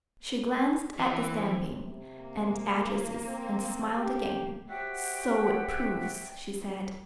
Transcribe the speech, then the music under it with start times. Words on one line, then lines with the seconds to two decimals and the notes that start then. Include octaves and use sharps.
She glanced at the stamping and addresses and smiled again: "So it proves," she said.
0.99 E3 C4
1.82 C3
2.19 A#3
3.27 C4
3.98 G4
4.70 F#4 G4 C5 E5 F#5 G5